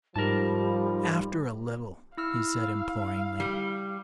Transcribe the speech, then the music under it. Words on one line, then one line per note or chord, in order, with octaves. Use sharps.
"After a little," he said imploringly.
G#2 F3 G3 D#4 A#4 A5
E4 F5 E6 F6
G3